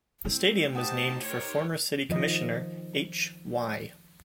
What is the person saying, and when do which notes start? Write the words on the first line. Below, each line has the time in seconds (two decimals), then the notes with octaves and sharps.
The stadium was named for former city commissioner H. Y.
0.25 A3 C4 E4
0.75 D#4 G4 C5 F#5 G5 A5 D#6
1.23 A#4 C#5 G#6 C#7
2.09 D#3 F3 D#5